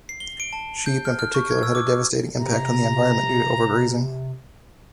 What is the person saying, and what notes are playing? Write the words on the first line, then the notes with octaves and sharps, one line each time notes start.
Sheep in particular had a devastating impact on the environment due to overgrazing.
C7
G7
D7
A5
G6
F6
F6
C#6
G#6
E6
D6
C3 A#5